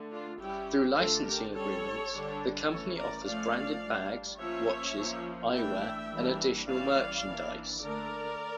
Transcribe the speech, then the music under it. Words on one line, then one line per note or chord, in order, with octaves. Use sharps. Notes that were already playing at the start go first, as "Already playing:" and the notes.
Through licensing agreements, the company offers branded bags, watches, eyewear and additional merchandise.
Already playing: D3 A3
D4 F4
G3 C#4 E4 G4
D3 A3 D4 F4 A4
G4 A#4
G3 C#4 A4 C#5
D3 G3 D4
E3 A3 C#4 A4 C#5
A#4 D5
F3 A3 C#4 D5 F5
G3 D4
F3 A#3 C#4 C#5 E5
F3 A#3 C#4
E3 A3 D4 E5 G5
E3 G3 A#3 D4
E3 G3 C#4 D5 F5
E3 A#3 D4
D3 A3 D4 A#4 D5